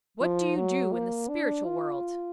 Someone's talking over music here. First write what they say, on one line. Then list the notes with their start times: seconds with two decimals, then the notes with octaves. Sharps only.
"What do you do in the spiritual world?"
0.21 F3
0.57 F#3
0.92 A#3
1.29 D4
1.65 F4